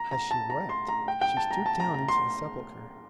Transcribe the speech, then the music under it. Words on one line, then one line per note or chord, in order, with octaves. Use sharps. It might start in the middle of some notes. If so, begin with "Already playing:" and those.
As she wept, she stooped down into the sepulchre.
Already playing: A#5
A#5
A5
A#5
C6
A#5
G5
G5
A5
A#5
A5
A#5
A#5
C6